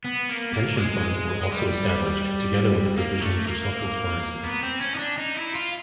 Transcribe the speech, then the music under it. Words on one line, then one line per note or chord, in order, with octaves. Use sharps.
Pension funds were also established, together with provision for social tourism.
B3
A#3
A#3
G#3
G#3
G3
A#3
A3
A#3
B3
C4
C#4
D#4
D4
D#4
E4
F4